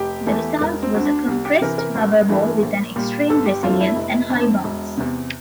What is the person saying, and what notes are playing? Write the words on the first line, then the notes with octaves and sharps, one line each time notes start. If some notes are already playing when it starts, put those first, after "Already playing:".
The result was a compressed rubber ball with an extreme resilience and high bounce.
Already playing: F1 G4
E2 E3 A3
E1 A#4
C4
D2 D3
D4
C2
G4
C3 E3 A#4
A#4
A1
G2 E3 A3
A#1
A#2 G3
G1 A4
G4
F2 D3 A3 F4
E4
F1
F2 D3
E1
E2 C3